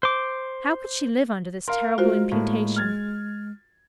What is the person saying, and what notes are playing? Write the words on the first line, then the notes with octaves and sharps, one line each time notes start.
How could she live under this terrible imputation?
C5 D6
A#4 F5 C6
G#3 F4 F#4 C5
A2 A3 A#3
F6 G#6 A6